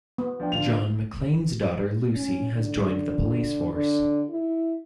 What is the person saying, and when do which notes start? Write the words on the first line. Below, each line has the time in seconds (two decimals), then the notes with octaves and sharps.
John McClane's daughter Lucy has joined the police force.
0.18 B3
0.40 F3 D4 G5
0.52 D3 F4 F7
2.15 C#4
2.55 D3
3.73 D3
4.30 E4